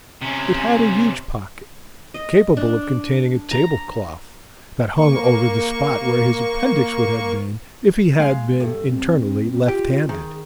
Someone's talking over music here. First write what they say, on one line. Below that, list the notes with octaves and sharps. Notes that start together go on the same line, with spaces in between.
It had a huge pocket, capable of containing a tablecloth, that hung over the spot where his appendix would have been if he had been internally left-handed.
C3 C#4
D#5
D4
A#5
A#3 C#6
G#3 F5
G2 A4
C4
F4 G4
D#3 G#4